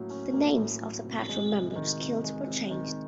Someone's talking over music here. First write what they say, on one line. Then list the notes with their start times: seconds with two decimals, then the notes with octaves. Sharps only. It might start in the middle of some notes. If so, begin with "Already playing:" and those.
The names of the patrol members killed were changed.
Already playing: A2 F#3 A#3 C#4
0.10 C#4
0.33 A#3
0.57 A2
0.81 F#3
1.05 C3
1.29 G#3
1.52 C3
1.75 D#3
2.00 C3
2.24 G#3
2.47 C3
2.71 D#3